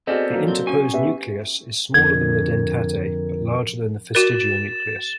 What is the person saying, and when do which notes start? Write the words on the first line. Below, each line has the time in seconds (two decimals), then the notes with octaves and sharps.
The interposed nucleus is smaller than the dentate but larger than the fastigial nucleus.
0.07 B3 C4 F#4 G#4 A4 D5 D#5 F6
0.32 F#3 A#3
0.48 C4
0.67 C#4 F#4 G#5
0.93 B3 G4 E5
1.94 F2 D3 A#4 G#6
4.15 F#4 A#4 A6 E7